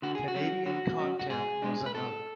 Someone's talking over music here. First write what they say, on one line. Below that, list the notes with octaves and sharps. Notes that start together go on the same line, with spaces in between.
Canadian content was another.
D3 F#4
G#4
F#4
F#3 C#4
D3 F#4
F#3 C#4
F#4
G#2 G#4
G#3 D4
B4
G#2 A4